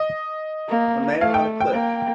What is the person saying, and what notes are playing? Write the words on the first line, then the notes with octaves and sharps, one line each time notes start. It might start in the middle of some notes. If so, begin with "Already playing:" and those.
A man on a cliff.
Already playing: D#5
A#3
A3 F5
G5
G5
A#3